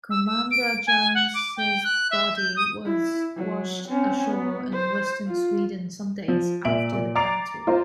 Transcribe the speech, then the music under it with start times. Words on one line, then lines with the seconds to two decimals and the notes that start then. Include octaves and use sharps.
Commander Jones' body was washed ashore in Western Sweden some days after the battle.
0.11 E6
0.26 E6
0.51 D7
0.87 G#5
1.15 F#5
1.34 D6
1.57 G5
1.84 F#6
2.11 E5
2.37 G6
2.56 D#6
2.85 E4
3.36 F#3
3.89 C4 C#4
4.29 B3
4.74 C5
5.27 F4
6.28 F3
6.65 A#2 E5 D7 F#7
6.92 A#2
7.15 A#5 D6 A6 C7 D7 F7
7.67 F4 C5 A#5